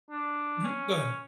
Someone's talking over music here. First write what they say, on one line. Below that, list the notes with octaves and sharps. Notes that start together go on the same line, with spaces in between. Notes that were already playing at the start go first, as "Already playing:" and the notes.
Mhm, go ahead.
D4
C#4